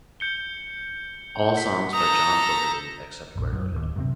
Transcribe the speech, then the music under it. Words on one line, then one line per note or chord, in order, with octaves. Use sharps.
All songs by John Fogerty, except where noted.
G6 C#7 G7
B6
A4 A#5 D#6
F1 A#1
F#2
D1 D#2
F#2 C3 C4